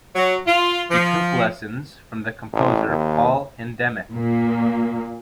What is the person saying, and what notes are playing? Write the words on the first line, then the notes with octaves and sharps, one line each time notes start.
He took lessons from the composer Paul Hindemith.
F#3
F4
F3
A1
D#2
A#2 A#3